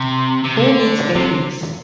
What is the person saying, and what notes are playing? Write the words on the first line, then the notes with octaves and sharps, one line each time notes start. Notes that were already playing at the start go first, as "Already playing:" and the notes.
Who Needs Enemies?
Already playing: C3
C3
D3
C3